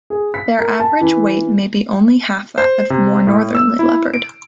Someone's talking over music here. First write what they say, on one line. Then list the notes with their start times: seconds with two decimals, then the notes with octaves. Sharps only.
Their average weight may be only half that of the more northerly leopard.
0.10 G#4
0.34 B6
0.59 A#4
0.80 A5
1.01 E3
2.58 C5
2.90 C3
3.27 A2
3.55 E6
3.79 E4
4.14 D7